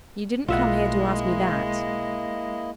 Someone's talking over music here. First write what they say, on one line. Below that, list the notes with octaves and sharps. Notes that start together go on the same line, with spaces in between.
You didn't come here to ask me that.'
B1 G#3 A#3 E4 F4 D#5 E5 F#5